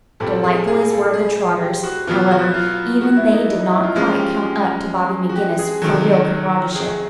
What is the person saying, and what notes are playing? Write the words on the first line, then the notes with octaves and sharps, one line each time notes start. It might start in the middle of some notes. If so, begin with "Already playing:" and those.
Delightful as were the Trotters, however, even they did not quite come up to Bobby McGinnis for real comradeship.
A#2 G3 C4 A4
G#4
G#4
A4
G#4
G4
F#4
B2 F#3 B3 F4
F#4
F4
F#4
E4
D#4
D#4
E4
F4
F3 G#3 C#4 F4
G4
G4
F#4
G4
G#4
C3 D#3 F#3 A4
G#4